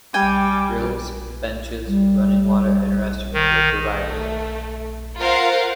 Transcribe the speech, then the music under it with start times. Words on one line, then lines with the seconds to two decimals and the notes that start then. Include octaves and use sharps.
Grills, benches, running water and restrooms were provided.
0.14 G3 G5 G#5 D6
1.87 G3
3.34 D#3
4.00 A3
5.20 F4 A#4 C5 F5 F#5